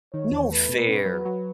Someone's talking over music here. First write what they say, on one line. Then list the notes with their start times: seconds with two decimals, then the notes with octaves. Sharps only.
No fair.
0.14 D#3 C#5
0.32 E2
0.51 A3 B4
0.69 B2
0.88 C#4
1.06 F#3
1.25 F#3